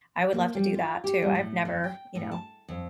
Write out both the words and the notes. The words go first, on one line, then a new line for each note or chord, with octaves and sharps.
I would love to do that too. I've never, you know
A#3
G3
F4
G4
G3
A2
F2
G5
A2
A5
F2